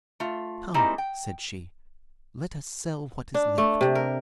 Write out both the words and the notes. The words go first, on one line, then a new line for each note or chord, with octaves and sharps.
"Come!" said she, "let us sell what is left."
A3 F4
G3 G#3 A#3 C4 D#4 E4
G5
D4
A3
C3
A#4